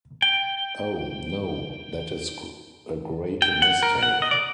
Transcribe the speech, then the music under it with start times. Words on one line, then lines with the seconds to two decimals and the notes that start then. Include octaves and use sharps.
Oh, no; that is a great mistake.
0.22 G5
3.42 G5
3.62 F#5
3.83 A#4
4.03 F#5
4.22 D#5
4.31 D5